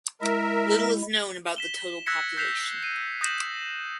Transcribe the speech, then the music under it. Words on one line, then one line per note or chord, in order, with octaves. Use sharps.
Little is known about the total population.
G#3 E4 A#4 E5
B6 E7 G7
E6 F#6 G#6 A#6 B6 C#7
F#6 G6 B6 C7 E7 F7
C7 D#7
D#6 G6 A#6 D#7 E7 F#7